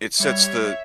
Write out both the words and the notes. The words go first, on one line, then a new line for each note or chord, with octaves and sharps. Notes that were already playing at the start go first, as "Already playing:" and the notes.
it sets the
G3 C#5 E5